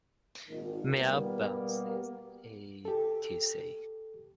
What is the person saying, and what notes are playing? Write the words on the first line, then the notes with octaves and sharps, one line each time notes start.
Mail Boxes Etc.
G#1 A#2 D#3
B2 G3 A#3 B3
G4 A4